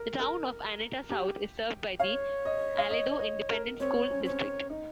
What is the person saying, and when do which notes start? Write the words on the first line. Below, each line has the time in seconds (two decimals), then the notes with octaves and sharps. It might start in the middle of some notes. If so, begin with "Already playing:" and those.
The Town of Annetta South is served by the Aledo Independent School District.
Already playing: A#4
0.19 A#4
1.10 G4
1.99 C#5 F5
2.45 D#5
2.78 F5
2.90 D#5
3.20 D#5
3.49 A#4
3.80 C4 C#5
4.11 C#4
4.21 C4
4.26 C#4 C#5
4.70 D#4